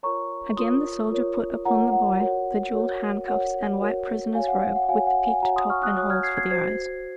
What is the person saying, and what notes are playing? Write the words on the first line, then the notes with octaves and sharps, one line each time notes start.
Again the soldier put upon the boy the jeweled handcuffs and white prisoner's robe with the peaked top and holes for the eyes.
F4 A#4 C#5 A#5 C#6
F4 A#4 C#5 C6 D#6
F4 A#4 C#5
F4 A#4 C#5 F#5 A#5
F#5
F#4 A#4 C#5
F#4 A#4 C#5
F#4 A#4 C#5 F#5
F#4 A#4 C#5
F#4 C#5 F5 G#5
F#5
F5
F#5
F#4 C#5 F5 G#5
F#5
F5 G#5
F#4 C#5 F#5 A#5
C6 D#6
C#6 F6
D#6 F#6
F#4 C#5 D#6 F#6
F6 G#6
G#6 C7
G#6 C7
F#4 C5 G#6 C7